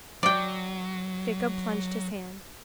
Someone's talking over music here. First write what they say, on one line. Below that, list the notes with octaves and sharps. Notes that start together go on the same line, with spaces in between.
Jacob plunged his hand.
F#3 D5 G5